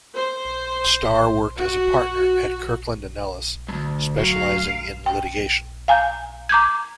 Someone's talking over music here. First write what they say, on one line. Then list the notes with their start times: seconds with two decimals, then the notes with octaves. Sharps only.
Starr worked as a partner at Kirkland and Ellis, specializing in litigation.
0.15 C5
1.58 F#4
3.68 D2 G2
4.19 D2 F#3 F5
5.06 G5
5.88 F5 G#5 A#5 G6
6.49 A#5 D6 G6 G#6